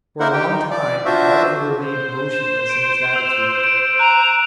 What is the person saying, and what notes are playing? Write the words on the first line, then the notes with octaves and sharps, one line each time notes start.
For a long time, Oliver remained motionless in this attitude.
A#3 D#4 E4 A#4 C5 F#5
G4 G5
D#4
D5
D4 F4 F#4 C5 E5
C5
E7
D7
E6 E7 F7
D7
A#5 F#6 D#7